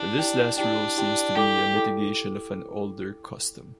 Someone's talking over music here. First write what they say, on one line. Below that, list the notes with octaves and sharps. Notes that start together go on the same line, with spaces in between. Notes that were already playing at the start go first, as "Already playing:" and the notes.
This last rule seems to be a mitigation of an older custom.
Already playing: D4 E4 G4 D5 G5
E4 G4 D5 G5
D4 E4 G4 D5 G5
E4 G4 D5 G5
E4 G4 A4 G5 D6
E4 A4 G5 D6